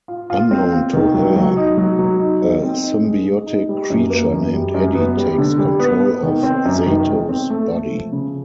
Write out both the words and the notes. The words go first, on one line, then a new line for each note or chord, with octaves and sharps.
Unknown to her, a symbiotic creature named Eddie takes control of Zato's body.
F4
F4
C4
F4
D#3
F#3
F#3
D#4
F#3
F#3
D#4
D#4
C4
D#4
G#3
G#3
D#4
G3
F#2
A#3
F#2
G3
F#2
B3
G3
D3
G3
B3
B3
D#3
C4
F#2
D#3
G#3
C4
A3
A3
F3
C#3